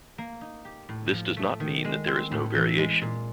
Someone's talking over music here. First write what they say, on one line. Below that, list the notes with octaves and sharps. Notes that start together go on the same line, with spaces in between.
This does not mean that there is no variation.
A#3
D#4
G4
A2
F3
A3
D#3
G#3
C4
A2
E3
G#3
A#2